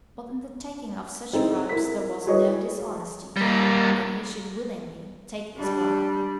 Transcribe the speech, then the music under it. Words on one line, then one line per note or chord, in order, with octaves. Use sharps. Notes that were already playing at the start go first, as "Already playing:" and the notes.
But in the taking of such bribes there was no dishonesty, and he should willingly take this bribe.
C4 D#4 E4 G#4 A4 C5
E4 A#4 B6
E4 F#4 G#4 B4 C#5 D#5
G3 A#3
G3 D4